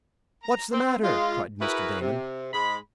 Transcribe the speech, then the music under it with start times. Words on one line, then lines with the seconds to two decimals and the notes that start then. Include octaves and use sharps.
"What's the matter?" cried Mr. Damon.
0.43 A#5
0.72 C4
1.03 G#3 F4
1.61 E4 F#4 G#4 A#4 B4
2.00 C3
2.54 G#2 G#3 B5